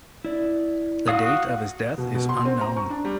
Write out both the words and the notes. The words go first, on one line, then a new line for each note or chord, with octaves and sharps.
The date of his death is unknown.
E4 D5
F#4 F5 D#6
B2
B2
C6
C4
A#5
C#6
D4
G3